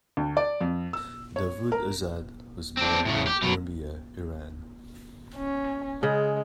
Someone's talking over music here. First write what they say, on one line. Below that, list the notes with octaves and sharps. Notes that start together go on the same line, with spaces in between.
Davood Azad was born in Urmia, Iran.
D2
D5
F2
E6
C#5
A#4
C4 D4
A2 C#3
G4
B2 F#3
C#4
C#3 G#3